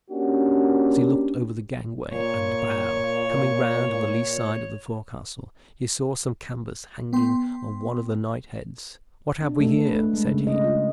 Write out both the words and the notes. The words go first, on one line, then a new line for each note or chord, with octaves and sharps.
As he looked over the gangway and bow, coming round on the lee side of the forecastle, he saw some canvas hanging on one of the night-heads--"What have we here?" said he.
A#3 C#4 D4 F#4 G4
A#2 C#5
B3 G5 C6
D4
A3
B4
A3
G#3
C#3
D#5
F4